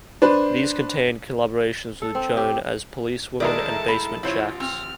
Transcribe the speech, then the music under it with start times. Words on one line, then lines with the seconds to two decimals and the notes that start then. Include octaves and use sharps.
These contained collaborations with Joan As Police Woman and Basement Jaxx.
0.22 D4 B4 C5
2.02 A4
2.15 C4
2.37 G4
3.40 D#3 G#3 E4 A4 A#4 D5 A5
3.88 B5
4.23 A1 E4 F4 C5 C#5
4.60 C4 F6